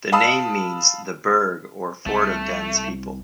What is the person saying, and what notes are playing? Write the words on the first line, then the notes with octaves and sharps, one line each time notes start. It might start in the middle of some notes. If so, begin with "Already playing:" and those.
The name means 'the burgh or fort of Dene's people'.
F5 A5 B5 D#6 E6
C2 A3